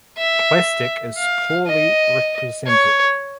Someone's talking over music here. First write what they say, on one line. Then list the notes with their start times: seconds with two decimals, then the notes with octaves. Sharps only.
Plastic is poorly represented.
0.18 E5
1.17 F5
1.67 D#5
2.67 C#5